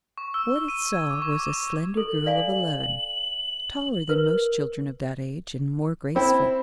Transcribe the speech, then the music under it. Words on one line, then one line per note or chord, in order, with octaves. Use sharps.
What it saw was a slender girl of eleven, taller than most children of that age, and more graceful.
C#6
E6
E6
D#7
G#6
D6
C#6
D6
A4 F#7
D5 F5 G#5
A#4 B4
C4 E4